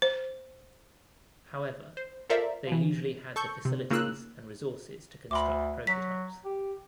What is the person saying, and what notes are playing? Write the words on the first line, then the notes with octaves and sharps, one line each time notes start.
However they usually had the facilities and resources to construct prototypes.
C5
C5
F4 A4 A#4 C5 D5 E5
E3 F3
A4 C#6 G6
C3
C#3 A#3 D#4 F4 E6 F#6
D2 B5 C6 D6
F#3 B6
G4